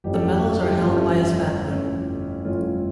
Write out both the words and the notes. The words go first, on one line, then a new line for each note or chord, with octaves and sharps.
The medals are held by his family.
G1 F2 E3 A3 C#4 G4
A4
G4
A4
G4
A4
E4 G4
G1 F2 E3 A3 C#4 F4
E4
E4
G1 F2 E3 A3 C#4
G1 F2 E3 A3 C#4 F4